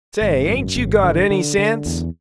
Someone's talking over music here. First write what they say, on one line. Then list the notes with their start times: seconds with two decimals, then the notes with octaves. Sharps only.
"Say, ain't you got ANY sense?"
0.21 G#1
0.48 F#2
0.76 G#1
1.03 D3
1.30 D3
1.58 D3
1.86 E2